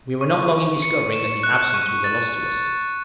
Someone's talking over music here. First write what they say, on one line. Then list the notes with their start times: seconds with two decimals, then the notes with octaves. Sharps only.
We were not long in discovering that his absence was a loss to us.
0.21 C#6
0.51 C#6
0.82 C#7
1.13 E7
1.43 F#6
1.74 C#6
2.04 A6